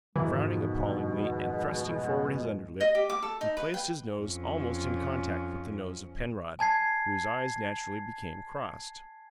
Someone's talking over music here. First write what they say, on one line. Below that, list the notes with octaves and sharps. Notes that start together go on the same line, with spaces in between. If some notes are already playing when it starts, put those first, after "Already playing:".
Frowning appallingly, and thrusting forward his underlip, he placed his nose almost in contact with the nose of Penrod, whose eyes naturally became crossed.
F2 G#2 B2 D#3 E3 G#3
D#5
G4
D6
A4
D#4
B4
G5
F2 C#4
G#5 A5 G#6 C7